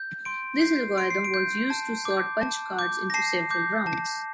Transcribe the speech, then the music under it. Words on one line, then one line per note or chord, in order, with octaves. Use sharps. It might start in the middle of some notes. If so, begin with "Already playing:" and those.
This algorithm was used to sort punch cards into several rounds.
Already playing: G6
C6 D7
G6 C7
C6 D7
C7
D7
G6
A5
D6
G6
A5
D6 G6
A#6
A5 C7
D6 G6
A5